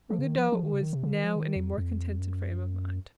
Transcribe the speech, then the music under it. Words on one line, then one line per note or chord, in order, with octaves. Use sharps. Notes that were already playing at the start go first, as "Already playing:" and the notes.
Ruggedo was now in a more contented frame of mind.
F3
C#3
D#3
F3
F3
D#3
C#3
D#3
C3
C#3
D#3
F3
D#3
F2
F2
F#2